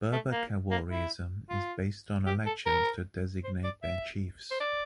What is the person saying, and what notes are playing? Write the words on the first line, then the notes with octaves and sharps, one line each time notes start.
Berber Khawarijism is based on elections to designate their chiefs.
A3
A#3
A#3
E4
F4
G4
A4
A#4
C5
D5
E5
C5
D5